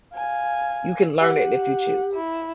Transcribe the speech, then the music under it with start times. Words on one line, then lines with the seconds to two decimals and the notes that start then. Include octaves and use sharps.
You can learn it if you choose.
0.14 F5 G#5
1.20 G4 F#5
2.14 E4